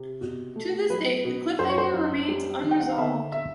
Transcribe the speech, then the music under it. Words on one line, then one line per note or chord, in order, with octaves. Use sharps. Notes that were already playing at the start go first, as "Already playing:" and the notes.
To this day, the cliffhanger remains unresolved.
Already playing: C3
B2
A3
F#3 B4
B2
F#2 C5
C#5
C5
F#2
G3
D#3
G5
F#5
F5
D3 E5
E5